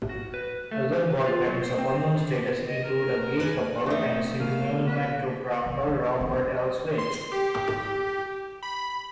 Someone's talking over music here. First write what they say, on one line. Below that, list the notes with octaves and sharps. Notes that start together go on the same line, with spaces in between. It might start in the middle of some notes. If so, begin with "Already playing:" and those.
Other godparents of unknown status include a gay couple and cinematographer Robert Elswit.
F#4
B4
A3
E3
B4
F4
F#3
C5
C4
D3
D#5
A#4
B4 D5 G#5
F#3 A3 C4 D#4 E5
B2 A#3 F5
B4
C2
C#2
C4
C6
G4
B5